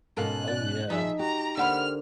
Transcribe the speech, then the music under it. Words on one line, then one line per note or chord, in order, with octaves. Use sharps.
Oh, yeah.
G#2 B2 C#4 A4 A#4 F5 A#5 F#6
D5
F3 D#4 G#4 E5 A5
F#4 G4 A#5
D3 A#3 C5 E5 F#5 B5 F6